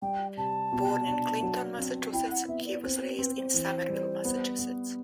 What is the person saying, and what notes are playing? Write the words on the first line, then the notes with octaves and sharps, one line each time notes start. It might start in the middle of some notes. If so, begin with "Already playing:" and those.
Born in Clinton, Massachusetts, he was raised in Somerville, Massachusetts.
G3 G5
C3 A5
B2
D4
F#3
C4
E4 G5
F#5
B3 E5
D5
C4 C5
C5
C4 B4
C5
E3
G3
B3
B3